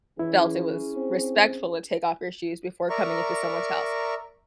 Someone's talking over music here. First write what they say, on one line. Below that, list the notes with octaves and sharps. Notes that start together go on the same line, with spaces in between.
felt it was respectful to take off your shoes before coming into someone's house.
E3 C#4 E4 G#4
C4
A#4 D5 E5 A#5 C#6